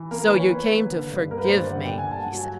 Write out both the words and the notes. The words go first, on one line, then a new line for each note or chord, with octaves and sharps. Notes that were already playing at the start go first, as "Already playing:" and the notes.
"So you came to forgive me?" he said.
Already playing: E3
A#3 A#4
B4
E3
C#5
A#3 B4
A#3
D3
G2
A#3 A#4
B4
C5
G2
D5
D3 F#5
G5
A#3
G#5
G2 A5
F#5
F#3
G#5